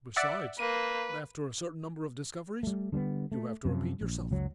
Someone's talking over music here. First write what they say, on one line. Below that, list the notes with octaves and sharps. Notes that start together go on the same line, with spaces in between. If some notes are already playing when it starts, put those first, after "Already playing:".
Besides, after a certain number of discoveries, you have to repeat yourself.
D5 E5 F#5
A#3 B4 D#7
G3 A3
D3 G3 A#3 B3
A3
F#2 C3 F3
A#1
F#1 C#2 F#3